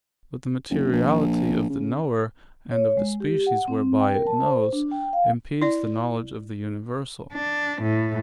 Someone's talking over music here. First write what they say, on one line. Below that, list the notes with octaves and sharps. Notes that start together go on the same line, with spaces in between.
But the materiality of the knower, and of the species whereby it knows, impedes the knowledge of the universal.
F#1
A#1
C#3
C#5
G#3
G4
F#5
C4
G5
A#4
A5
C5
D4
G5
F5
E4 D5
D4
A2